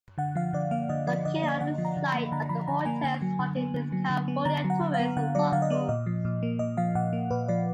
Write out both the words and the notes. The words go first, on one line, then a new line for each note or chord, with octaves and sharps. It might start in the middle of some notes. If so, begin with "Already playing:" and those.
Located on an site, the hotel's market is California tourists and locals.
D3 F#5
F3 F5
D3 D5
A#3 F5
D3 D#5
F3 D5
D3 D#5
A#3 D#5
D3 F#5
F3
A#5
D3
B5
A#3
D3 A#5
F3 B5
D3 A#5
A#3 G#5
D3 G#5
F#3
D3
B3
D3
F#3
D3
B3
D3 A#5
F#3
F#5
D3
F5
B3
D3 F#5
F#3 D5
D3 F5
D#5
B3 D5
A#2 D#5
F3
A#2
A#3
A#2 D#5
F3 F5
A#2 F#5
A#3
A#2 B4
F3 D5